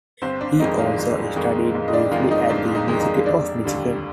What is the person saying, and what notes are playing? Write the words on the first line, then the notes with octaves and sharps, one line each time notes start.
He also studied briefly at the University of Michigan.
G1 C4 C5
D4 D5
F2 D#3 G#3 D#4 D#5
F4 F5
G1
F2 D#3 G#3
G1
D#5
D4 D5
F2 D#3 G#3 F4 F5
D#4 D#5
G1 D4 D5
D#4 D#5
F2 D#3 G#3
D#4 D#5
F1 D4 D5
D#2 D3 G3